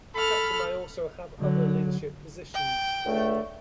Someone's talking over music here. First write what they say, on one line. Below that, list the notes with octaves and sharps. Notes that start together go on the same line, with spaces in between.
Chapter may also have other leadership positions.
A4 B5 F6
D3 F#3
G5
C#2 D3 A3